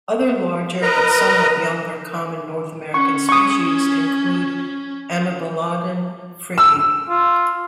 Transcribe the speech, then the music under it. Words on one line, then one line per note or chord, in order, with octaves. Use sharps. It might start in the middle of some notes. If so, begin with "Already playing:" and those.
Other larger but somewhat younger common North American species include "Amebelodon fricki".
A#4 B4 D#5 A#5
C#4 C#6
C#6 D#6
E6
F4